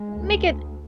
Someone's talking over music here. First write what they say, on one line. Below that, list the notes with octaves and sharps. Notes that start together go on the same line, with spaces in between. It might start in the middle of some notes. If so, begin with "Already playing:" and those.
make it
Already playing: G#3
D2